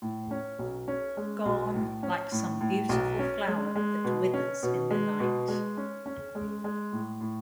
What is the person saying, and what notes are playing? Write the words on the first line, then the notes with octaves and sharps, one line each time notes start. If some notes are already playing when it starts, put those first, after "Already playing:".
Gone like some beautiful flower that withers in the night.
A2
C#4
B1
C#4
G#3
B1
A2
C#4
A2
A2
B1
C#4
G#3
G#3
B2
C#4
B2
G#3
B2
G#3
C#4
C#4
G#3
G#3
A2
A2